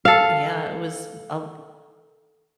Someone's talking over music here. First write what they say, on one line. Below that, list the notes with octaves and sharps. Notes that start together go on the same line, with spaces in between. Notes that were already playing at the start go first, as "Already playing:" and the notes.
Yeah, it was a l
A4 F5